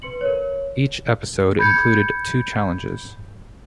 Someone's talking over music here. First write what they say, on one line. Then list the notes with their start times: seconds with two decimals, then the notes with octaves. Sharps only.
Each episode included two challenges.
0.02 B4 C6 C#7 F#7
0.21 A#4 C#5
1.59 B5 G6 G#6 C#7